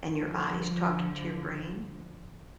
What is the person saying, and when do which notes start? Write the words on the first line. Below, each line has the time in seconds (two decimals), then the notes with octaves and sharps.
and your eyes talking to your brain,
0.23 D3 F3